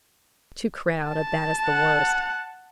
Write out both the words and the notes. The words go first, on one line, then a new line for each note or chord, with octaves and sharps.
Too crowded, that is the worst.
A5
F#5